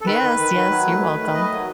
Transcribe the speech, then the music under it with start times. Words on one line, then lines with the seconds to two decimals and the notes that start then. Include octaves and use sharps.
Yes, yes. You're welcome.
0.01 A4
0.06 D#3 B4
0.22 D#3
0.38 D#3
0.55 D#3
0.70 F#3
0.86 A3
1.02 A3
1.18 D#3
1.34 A3 D#5
1.50 F#3